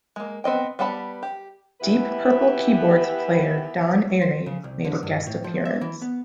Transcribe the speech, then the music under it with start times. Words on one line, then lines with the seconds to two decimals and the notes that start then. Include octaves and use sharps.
Deep Purple keyboards player Don Airey made a guest appearance.
0.16 G#3 A#3
0.44 B3 C4 D#5 G5
0.79 G3 B3 F#5 A5 B5
1.23 G4
1.81 E3 B3 G4 B4 E5
4.22 C5
4.46 C#3
4.64 C2
4.85 D3
5.03 G2
5.27 A2
5.44 F3
5.65 E5
5.81 E3
6.02 B3